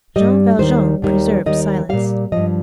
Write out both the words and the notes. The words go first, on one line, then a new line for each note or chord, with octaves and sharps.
Jean Valjean preserved silence.
G2 G3 D#5
D#2 D#3 G3 C5
D#2 D#3 G3
D#2 D#3 G3 D#5
A#2 G3 F5
G2 F3 D#5